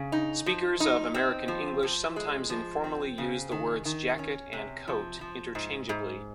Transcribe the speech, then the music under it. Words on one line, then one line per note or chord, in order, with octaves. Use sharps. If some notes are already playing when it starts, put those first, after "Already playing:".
Speakers of American English sometimes informally use the words "jacket" and "coat" interchangeably.
Already playing: C#3
D#4
F3
D#4
C4
F3
F3
G#3
F3
C4
C#3
D#3
D#3
C#4
C3
F3
F3
G#2
G#2